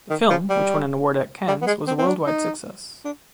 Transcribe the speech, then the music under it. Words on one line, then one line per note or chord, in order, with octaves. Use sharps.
The film, which won an award at Cannes, was a worldwide success.
D#3
F3
G3
G3
B3
G#3
C4
C4
D4
D#4
D4